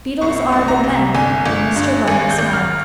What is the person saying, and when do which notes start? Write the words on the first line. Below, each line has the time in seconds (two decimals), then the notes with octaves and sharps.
Beadles are but men: and Mr. Bumble smiled.
0.21 C2 C#6
0.52 C2
0.68 A#5
0.84 C3
1.14 G1 G#5
1.46 G1
1.76 G2
2.08 G#1 G#5
2.31 G6
2.38 G#1
2.53 F6